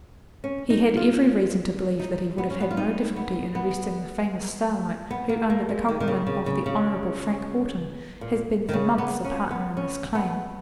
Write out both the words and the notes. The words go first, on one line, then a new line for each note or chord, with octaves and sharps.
He had every reason to believe that he would have had no difficulty in arresting the famous Starlight, who, under the cognomen of the Honourable Frank Haughton, has been for months a partner in this claim.
C#4
D#4
F4
D#4
B3
C#4
B3
F4
D#4
B3
B3
B3
A#3
A#3
G#3
D#3
D#3
C#3
C#3
C#3
C#3
A#2
D#3
C#3
B3
C#4
B3
C#4
B3